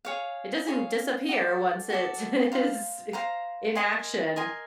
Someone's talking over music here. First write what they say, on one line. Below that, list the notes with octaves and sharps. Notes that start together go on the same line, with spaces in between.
it doesn't disappear once it is it c in action,
G#4 C#5 F5
G#4 C#5 F5
F#4 A4 D5
F#4 A4 D5
C5 F5 A#5
C5 F5 A#5
A#4 D#5 G#5 C6
A#4 D#5 G#5 C6